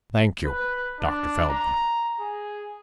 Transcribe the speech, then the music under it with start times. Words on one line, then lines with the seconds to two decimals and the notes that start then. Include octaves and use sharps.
"Thank you, Dr. Feldman."
0.45 B4
1.01 D4
1.49 A#5
2.20 G#4